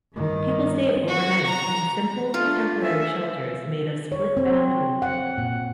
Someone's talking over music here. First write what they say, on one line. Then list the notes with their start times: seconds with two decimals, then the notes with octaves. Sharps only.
People stayed overnight in simple, temporary shelters made of split bamboo.
0.13 G2 D#3
1.07 F#4
1.45 A#5
2.34 A3 D4 F4
2.83 E5 G#5
4.12 C#5
4.37 C4
5.02 F#5
5.38 A#2